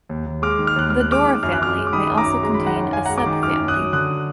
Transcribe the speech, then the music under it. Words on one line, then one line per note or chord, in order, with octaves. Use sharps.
The Dora family may also contain a subfamily.
D#2
D#2
G#3 D6 F6
D#3
F6
D#2 F#6
D#2 F6
F#6
G#3 D6 F6
D#3
F#2 F6
F#6
F#2 D6 F6
G#3
D6
D#3 B5 D#6
F#2
A#5 D6
F#2
G#3 A#5
B5
D#3
F#5 A#5
F#2
F#2 F5 G#5
F#5 A#5
G#3
A#5 D6
D#3
F#2 D6 F6
F#2
D#6 F#6
F#3
D3 D#6 F#6